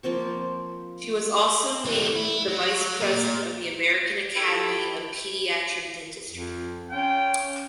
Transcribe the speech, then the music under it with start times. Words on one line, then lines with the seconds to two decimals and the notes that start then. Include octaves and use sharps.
She was also named the vice president of the American Academy of Pediatric Dentistry.
0.03 F3 A#3 C4 C#6
1.85 E3 G3
2.16 E4
2.48 F#3
3.00 A#2
4.36 E4 G4 A4
6.30 F2
6.91 C#4 F4 F5 G5